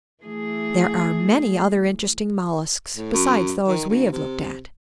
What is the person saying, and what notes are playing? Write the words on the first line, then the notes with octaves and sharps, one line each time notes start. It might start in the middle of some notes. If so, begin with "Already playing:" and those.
There are many other interesting molluscs, besides those we have looked at.
E3 A3 G#4
A2
F#2
D#3
D2
C3